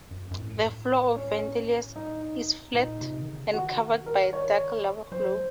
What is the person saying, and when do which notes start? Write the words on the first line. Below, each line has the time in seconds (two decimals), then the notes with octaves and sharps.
The floor of Vendelinus is flat and covered by a dark lava flow.
0.11 F#2
0.31 F#2
0.37 A2
1.16 C#4
1.96 D#4
2.74 A#2 D#4
3.01 C3
3.21 D#3
3.27 C#3
3.53 D#3 F#4
4.06 A#4
4.33 C#5
5.12 F#3 C5